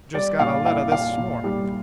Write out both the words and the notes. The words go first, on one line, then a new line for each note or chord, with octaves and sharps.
'Just got a letter this morning.'
G3 D5
A#2 F5
E4 F5
A#2 F5
A#2
G3